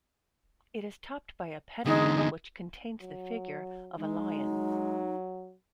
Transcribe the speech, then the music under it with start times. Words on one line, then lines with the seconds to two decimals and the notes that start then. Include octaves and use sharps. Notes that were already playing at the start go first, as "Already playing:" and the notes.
It is topped by a pediment which contains the figure of a lion.
1.85 E2 D3 G#3 D#4
3.02 F#3
3.96 G#3 D#4
4.32 F#3